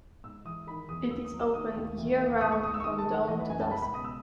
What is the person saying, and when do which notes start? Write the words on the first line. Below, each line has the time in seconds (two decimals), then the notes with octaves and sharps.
It is open year-round from dawn to dusk.
0.24 G#2 E6
0.45 E3 D#6
0.67 D#3 B5
0.89 E2 D#6
1.10 D#2 E6
1.25 D#6
1.33 F#3
1.39 E6
1.54 D#3 D#6
1.76 D#2
1.98 E3
2.20 D#2
2.41 G#2 D#6
2.52 C#6
2.63 G#2 D#6
2.74 E6
2.80 C#6
2.84 D#3 D#6
2.99 A5
3.06 D#3
3.14 F#5
3.28 E3 D#5
3.39 B4
3.50 F#2 G#5
3.61 A5
3.71 C#2 B5
3.82 B5
3.94 B2 D#6
4.04 E6